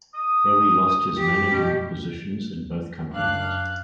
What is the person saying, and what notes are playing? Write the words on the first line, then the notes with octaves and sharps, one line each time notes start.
Berry lost his management positions in both companies.
D#6
F#2 G4
B2 G3
F#2 D4 F5 F#6